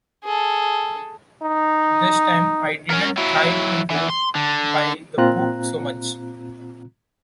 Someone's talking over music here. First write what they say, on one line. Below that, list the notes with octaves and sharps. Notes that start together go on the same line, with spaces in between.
This time I didn't try to go by the book so much.
G#4 A4
D#4
C#4 A#4
F#3 E4
E2 E3
C6
D3
A#2 C4 F4 A#5 F#6